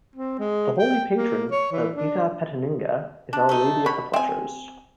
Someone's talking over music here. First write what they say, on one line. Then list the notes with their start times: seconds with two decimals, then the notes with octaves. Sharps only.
The holy patron of Itapetininga is Our Lady of the Pleasures.
0.16 C4
0.39 G#3
0.78 G5
1.17 A#3
1.51 C#5
1.72 E3
1.96 D4
3.33 D4
3.49 A3 D#4
3.86 B2 C#5 B5
4.14 C4 G#5